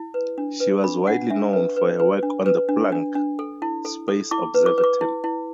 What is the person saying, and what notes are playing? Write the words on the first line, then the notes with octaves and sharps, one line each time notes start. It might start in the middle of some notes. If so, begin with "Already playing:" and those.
She was widely known for her work on the "Planck" space observatory.
Already playing: E4
B4
D4
B4
D4 B5
D4 F#5
D4 E5
B4
B4
B4
D4
B4
D4
D4
D4
A4
E4
A4
A4
E4 D6
B4
D6
B4
D6
E4
E4